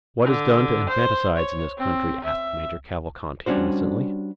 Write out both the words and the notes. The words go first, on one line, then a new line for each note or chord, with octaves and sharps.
"What is done to infanticides in this country?" asked Major Cavalcanti innocently.
D3
C5
C#5
C4
E5
G3 C#4 D4 F#4 C5